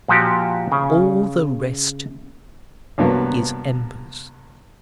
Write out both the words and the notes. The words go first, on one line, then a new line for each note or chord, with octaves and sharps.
All the rest is embers.
A#2 F3 F#4 G4
C#3 C#4
C2 G2 F#3 A#3 B3